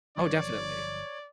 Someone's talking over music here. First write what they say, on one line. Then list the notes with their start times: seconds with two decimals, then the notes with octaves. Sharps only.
Oh, definitely.
0.18 G1 F3 F#3 C#5 D5